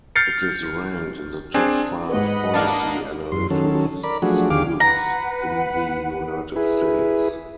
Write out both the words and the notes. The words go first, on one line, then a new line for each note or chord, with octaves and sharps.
It is ranked in the top five policy analysis schools in the United States.
F6 G6 A6 C7 C#7
C4 D4 G#4 G#5
G#2 B4 D#5 F#5 B5
A#3 D4 C#5 F5 A5
F#2 C6
D#3 F#3 C#4 A4
A#4 D5 B5
F3 F#3 A3 D4 F#4 G#4
D#2 D3 G4 G#4 F5 D6
B4 F#5 A#5
E4 G#4 B4